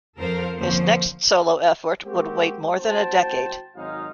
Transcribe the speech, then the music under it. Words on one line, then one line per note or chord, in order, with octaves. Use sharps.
His next solo effort would wait more than a decade.
F2 A4 A#4 C5 F5
F2 D3 F3 A#3 C#4 C5
G#3 A#3 C4 F#4 G4
A1 F#4 C5 G5 A5
G#1 F#3 G#3 D#4 F5